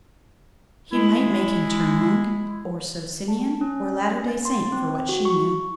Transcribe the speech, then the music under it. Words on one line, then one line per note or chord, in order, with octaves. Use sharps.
He might make him turn monk, or Socinian, or latter-day-saint, for what she knew!
G#3 E4
A5
C#4
A6
C6
C4
F#4
C#6